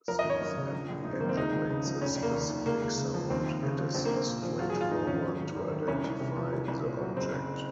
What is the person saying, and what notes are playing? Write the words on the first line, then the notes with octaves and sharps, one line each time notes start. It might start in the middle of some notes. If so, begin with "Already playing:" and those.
Since every engine makes a specific sound, it is straightforward to identify the object.
F3 A#4
D#5
G#1
C#5
F#2
C#3
A#1
A#1
G#2 D#4
C4
D#3 A#3
C4
C#2 D#4
C#2
C#3
F3
F1 C#4
F1
A#3
D#2
D#3
C#2 A#3
C#2
C#3
F3
D#2 C4
D#2
C#3
F3
A#1 C4
A#3
A#1
C4
A#2
F3
F#3 F4
G#4
G#1
F4
G#2 D#4
D#3 C#4
F#3
G#1
F#2
D#3
C2 C#4
C2
C3
F3
C2
C2
A#2
F#3
F#1 C4
F#1